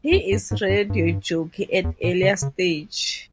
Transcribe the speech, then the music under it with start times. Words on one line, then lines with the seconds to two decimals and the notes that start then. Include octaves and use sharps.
He is Radio Jockey at Earlier Stage.
0.12 E2
0.32 G2
0.51 G#2
0.69 G2
0.90 G2
1.84 E2
2.04 A#2
2.22 C#3
2.42 C#3